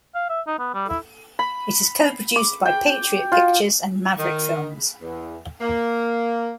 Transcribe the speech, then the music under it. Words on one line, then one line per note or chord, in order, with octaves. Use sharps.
It is co-produced by Patriot Pictures and Maverick Films.
F5
E5
D#4
B3
G3
E4
B5
D6
G5
F4
D#3
E2
A#3